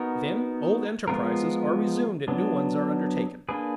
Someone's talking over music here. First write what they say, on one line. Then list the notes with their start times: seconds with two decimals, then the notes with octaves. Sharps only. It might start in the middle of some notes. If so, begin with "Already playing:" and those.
Then old enterprises are resumed and new ones are undertaken.
Already playing: B3 D#4 F#4 A#4
1.08 F3 G#3 B3 F4 A#4
2.28 F#3 B3 D4
3.49 A#3 D4 G#4 B4